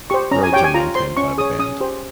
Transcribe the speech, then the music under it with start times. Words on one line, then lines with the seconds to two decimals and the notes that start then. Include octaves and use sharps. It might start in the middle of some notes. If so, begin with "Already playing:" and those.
Roads are maintained by the band.
0.10 G4 C5 C#6
0.31 C#4 A#5
0.43 G#5
0.53 G4 C#5 G5
0.64 G#5
0.74 F4 A#5
0.95 C5 C6
1.17 C#4 C#6
1.38 G#4 C#5 D#6
1.59 C#4 D#6
1.80 G4 C5